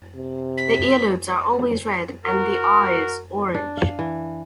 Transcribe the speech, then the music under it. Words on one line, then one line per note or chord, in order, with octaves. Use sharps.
The earlobes are always red, and the eyes orange.
C3
B6
F#4 A#4
D4
F5
E3